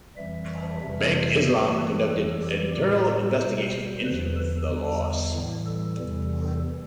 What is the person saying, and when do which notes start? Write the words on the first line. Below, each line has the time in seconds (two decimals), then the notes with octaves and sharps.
Bank Islam conducted an internal investigation into the loss.
0.17 F2 E3 G3 E5
0.81 F2 C3 E3 G3 E5
1.14 C5
1.46 G2 E3 G3 A4
1.78 B4
2.11 F2 E3 G3 A4
2.43 G4
2.75 A2 G3 G4
3.07 A4
3.39 B2 G3 C5
4.04 E2 D3 F3 B4
4.36 A4
4.69 E2 D3 G3 A4
5.34 A2 E3 G3
5.66 A4
5.98 E2 C3 E3 G3